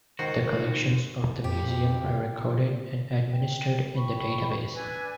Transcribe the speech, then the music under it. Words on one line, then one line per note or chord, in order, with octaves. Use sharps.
The collections of the Museum are recorded and administered in the database.
C#2 D#3 F#4 C5 C7
F2 G4
G5
G5 B5 C#6
D4 B4 G#5 E6